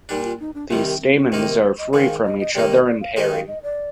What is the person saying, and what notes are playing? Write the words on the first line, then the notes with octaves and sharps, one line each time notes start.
The stamens are free from each other and hairy.
A#2 G3 D4 D#4
F4
D#4
D4
C2 C3 D#3 G3 F4
G4
C4
C4
C3 D#3 A#3 D4 D#4
A#4
C5
D#5
G#2 D#3 G#3 F5
D#5
D#5
C2 C3 D#3 A#3 D#4 D5
D#5
D5
F5
D#3 G#3 D#4 G4 D#5
F5
D#5
D5